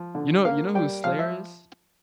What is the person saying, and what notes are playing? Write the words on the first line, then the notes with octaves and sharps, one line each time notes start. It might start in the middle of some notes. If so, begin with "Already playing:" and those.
You know you know who Slayr is?
Already playing: F3
D3
A#3 F5
G3 G5
F3 F5
E5